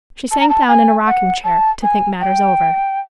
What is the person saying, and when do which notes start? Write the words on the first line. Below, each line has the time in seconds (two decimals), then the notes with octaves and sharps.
She sank down in a rocking chair, to think matters over.
0.31 A5
0.40 A#5
0.49 A5
0.68 G#5
1.07 F#5
1.44 A5
1.83 G#5
2.21 G5